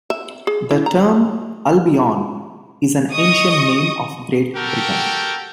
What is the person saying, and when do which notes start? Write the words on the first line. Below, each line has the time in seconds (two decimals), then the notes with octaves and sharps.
The term "Albion", is an ancient name of Great Britain.
0.10 E5
0.47 G#4
0.71 E4
0.86 A#5
3.13 D#5 C#6 D#6
4.55 F#4 G4 A4 A#4 G5